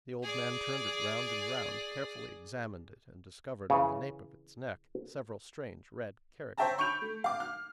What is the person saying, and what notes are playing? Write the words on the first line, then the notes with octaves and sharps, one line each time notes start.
The old man turned it round and round, carefully examined it, and discovered, on the nape of its neck, several strange red characters.
G#4 D5
C#3 E3
C5 C#5 E5 G5 A5 A#5
B5 C#6 G6 D7 F7
A3
F5 D6
F6